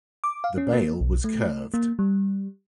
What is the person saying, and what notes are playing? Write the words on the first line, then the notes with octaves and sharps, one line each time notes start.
The bail was curved.
D6
F5
C#4
A#3
B1
A3
A#3
G3